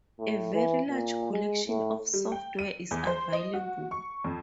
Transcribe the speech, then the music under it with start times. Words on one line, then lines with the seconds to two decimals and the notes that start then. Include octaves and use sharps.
A very large collection of software is available.
0.19 A2
0.54 E3
0.89 A#2
1.31 G#3
1.67 A2
2.14 G3
2.32 G5
2.59 D#7
2.91 E2
3.07 C5
3.33 D#5
3.54 F#4
3.91 C#6
4.24 F2